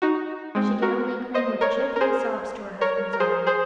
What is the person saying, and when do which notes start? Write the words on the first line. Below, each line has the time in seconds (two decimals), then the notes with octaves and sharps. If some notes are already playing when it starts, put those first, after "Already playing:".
She could only cling with choking sobs to her husband's arm.
0.02 D#4 F#4
0.55 G#3 C4
0.82 F#4 A#4
1.34 C5 D#5
1.61 A#4 C#5
1.96 A#4
2.01 G#4 C5
2.81 A#4 C#5
3.13 A#4
3.20 G#4 C5
3.47 G#4 C5